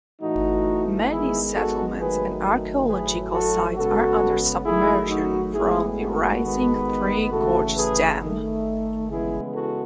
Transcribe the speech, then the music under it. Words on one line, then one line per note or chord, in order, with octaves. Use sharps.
Many settlements and archeological sites are under submersion from the rising Three Gorges Dam.
A2 E3 A3 D#4 F#4
D#3 G#3 B3 E4 G#4
F#4 A4
D#3 F#3 A3 G#4 B4
A2 F#3 A3 G#4 B4
F#4 A4
C#3 G#3 B3 F#4 A4
D#3 F#3 A3 E4 G#4
D#4 F#4
A2 G#3 B3 E4 G#4
F#4 A4
D#3 G#3 B3
C#3 E3 A3 F#4 A4
G#4 B4
D#3 A3
C#3 E3 G#3 B3 E4 G#4
F#4 A4